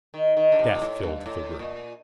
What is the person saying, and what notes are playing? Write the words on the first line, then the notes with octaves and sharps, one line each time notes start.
Death filled the room.
D#3
D#3
D3
C3
A#2
A2
G2
A2
A#2